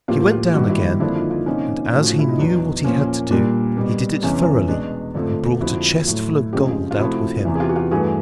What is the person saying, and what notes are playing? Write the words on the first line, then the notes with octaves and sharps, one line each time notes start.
He went down again, and as he knew what he had to do, he did it thoroughly, and brought a chest full of gold out with him.
A2 F3 A#3 F4 G4
F4 G4
G2 D#3 G3 A#3 F#4
G4
E4 F#4
F2 D3 F3 A#3 D4 E4
D#4 F4
D#4 F4
C3 F3 A#3 C#4 D#4
A2 F3 A3
F#4
F4
E4
D#4
E2 B2 F#3 D4
A#2 F3 A#3 C#4
A#2 G3 A#3 D4
B2 G3 A#3
E2 C3 E3 G#3 C#4
B2 G#3 D4
F2 D3 F3 A3
F2 D3 F3 A#3 E4 F#4
A2 F#3 A3
F2 C#3 F3 G#3 F4 G4
F4
C3 F3 A3 E4 F#4
E2 C3 E3
G#4
F4 G4
F#4
F4 G4
G2 E3 A3 F#4 G#4